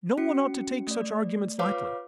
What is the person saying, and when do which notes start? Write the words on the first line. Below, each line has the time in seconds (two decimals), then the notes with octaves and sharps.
No one ought to take such arguments lightly.
0.18 C#4 F#4 C#7
0.87 A3 D5
1.59 F4 B4 C#5 F5 D6